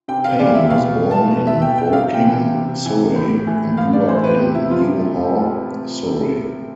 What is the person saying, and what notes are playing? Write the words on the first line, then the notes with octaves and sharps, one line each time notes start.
Payne was born in Woking, Surrey, and grew up in New Haw, Surrey.
C3 G5
F5
E3 D5
E5
B2 F5
A5
B2
E5
G5
G5
C3 F5
G5
E3
C3
E3
A2
E3
A2 F5
D5
E3 C5
B4
C3 G4
E4
F3 F4